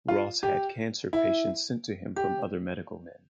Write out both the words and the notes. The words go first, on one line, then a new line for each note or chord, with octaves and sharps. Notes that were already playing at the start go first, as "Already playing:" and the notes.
Ross had cancer patients sent to him from other medical men.
F4
G4
E4
G4